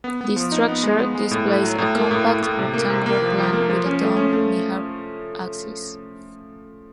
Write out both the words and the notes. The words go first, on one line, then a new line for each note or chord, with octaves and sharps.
The structure displays a compact rectangular plan, with a domed mihrab axis.
B3
B3
F3
D#4
B3
G#3
B3
G#3
A2
A2
F#3
A2
A#3
A2
A2
A2
C3
A#3
C3
A#3
F3
F3
A#3
F3
C#4
A3
C#4
A3